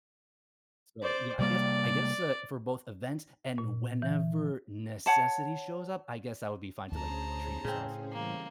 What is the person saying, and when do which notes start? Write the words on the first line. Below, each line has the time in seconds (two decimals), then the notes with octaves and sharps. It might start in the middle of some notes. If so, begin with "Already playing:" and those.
So, yeah, I guess I guess, uh, for both events and whenever necessity shows up, I guess that would be fine to, like, treat yourself.
1.02 C5 D5
1.39 C3 G3 A#3 D5
3.58 A#2
4.02 E3
5.06 C#5 F#5 A5
6.92 D2 C#4 G#4 C5 A5 A#5
7.65 A2 C#3 C4
8.12 E3 G3 A3 A#3